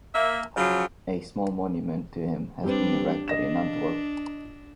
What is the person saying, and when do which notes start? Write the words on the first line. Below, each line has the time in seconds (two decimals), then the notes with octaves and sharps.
A small monument to him has been erected in Antwerp.
0.15 A#3 E5
0.57 C#3 F3 F#3
2.64 G3 C4 D4 G4 B4
3.28 D4 D#5 A#6 E7